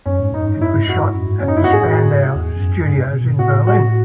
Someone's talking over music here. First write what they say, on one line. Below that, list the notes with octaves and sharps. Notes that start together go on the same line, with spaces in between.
It was shot at the Spandau Studios in Berlin.
F#2 C#4
G#2
F#2 D#4
G#2
F#2 E4
G#2
F#2 F#4
G#2
F#2
G#2
F#2 C#4
D#4
E4
F#4
G#2 G#4
G#2
A2
G#2
E2
F#2
G#2
B2
A2 F#4
F#4